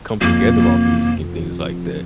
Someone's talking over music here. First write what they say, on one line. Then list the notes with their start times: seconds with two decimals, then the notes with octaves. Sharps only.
come together off music and things like that,
0.21 F2 A#3
0.43 C3 F3 C4
0.65 F2
0.86 C3 F3 C4